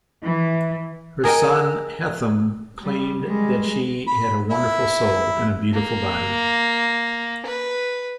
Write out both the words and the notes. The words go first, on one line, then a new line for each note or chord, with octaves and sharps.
Her son Hethum claimed that she had a wonderful soul and a beautiful body.
E3
G#4 A#4 D#5 G5
G3
G3 G#3
B5
E4 E5
A#3
B4